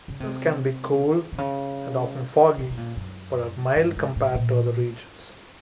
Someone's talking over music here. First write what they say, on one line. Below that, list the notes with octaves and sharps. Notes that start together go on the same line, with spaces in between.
Winters can be cool, and often foggy, but are mild compared to other regions.
C#3
C3
C3
C#3
B2
B2
A#2
F#2
G2
G#2
A2
A#2